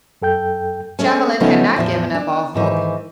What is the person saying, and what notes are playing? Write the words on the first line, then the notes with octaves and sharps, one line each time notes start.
Chauvelin had not given up all hope.
F#2 A4 G5 G6
G#3 A3 C#4
C#3 F3 A3 B3 C#4 D#4
E2 A2 D#3 F3
D4
G#2 D#3 E3